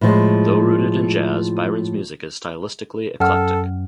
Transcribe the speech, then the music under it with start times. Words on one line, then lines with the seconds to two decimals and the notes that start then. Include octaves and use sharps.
Though rooted in jazz, Byron's music is stylistically eclectic.
0.01 A2 F3 G#3
3.20 F#2 A4 F#5 G5 F6